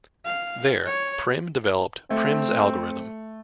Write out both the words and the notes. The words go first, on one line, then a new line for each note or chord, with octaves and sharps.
There, Prim developed Prim's algorithm.
F5
C#5
A3 C4